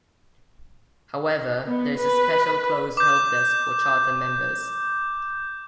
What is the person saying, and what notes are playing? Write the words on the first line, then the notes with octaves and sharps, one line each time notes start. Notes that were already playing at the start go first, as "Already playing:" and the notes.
However, there is a special closed helpdesk for Charter Members.
B3
B4
D6 G6